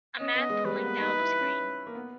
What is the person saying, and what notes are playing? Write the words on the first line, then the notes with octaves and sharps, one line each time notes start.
A man pulling down a screen.
C#4 D#5
B3
G#3
G3 B4
A#3
B3
D#4
D#4
E4
C#4
A#3
B3